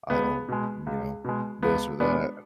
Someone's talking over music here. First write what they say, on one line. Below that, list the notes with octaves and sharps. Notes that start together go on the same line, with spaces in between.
I don't you know, this or that."
C#2 B3
B2 G#3
C#2
B2 G#3
C#2 B3
B2 G#3 B3 D4